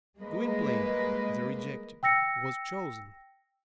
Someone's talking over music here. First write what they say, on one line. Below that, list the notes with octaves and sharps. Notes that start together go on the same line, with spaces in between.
Gwynplaine the rejected was chosen.
G3 G#3 A#3 A#4 B4 D#5
G5 E6 A#6 C#7